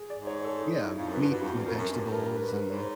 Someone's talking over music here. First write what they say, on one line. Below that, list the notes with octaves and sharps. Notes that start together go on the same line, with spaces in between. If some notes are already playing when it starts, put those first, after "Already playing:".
Yeah, meats and vegetables, and
Already playing: G#4
D5
G#2
C#5
A4
D#4
D#4
E4
F2 F4
F#2
B4
G2
G2 F#4
F2
E2
F2 A#4
F#2
G2
B4
A#4
A#4
B4
B4
C5
G#2 C#5